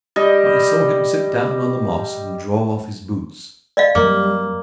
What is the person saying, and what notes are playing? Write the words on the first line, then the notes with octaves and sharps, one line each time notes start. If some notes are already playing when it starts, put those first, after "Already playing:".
I saw him sit down on the moss and draw off his boots.
G3 D#5
D5 D#5 F5
F#2 G3 A#3